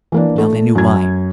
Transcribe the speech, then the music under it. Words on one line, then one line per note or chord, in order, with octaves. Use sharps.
Now they knew why.
E3 A#3 D4
A3
F#2 G#6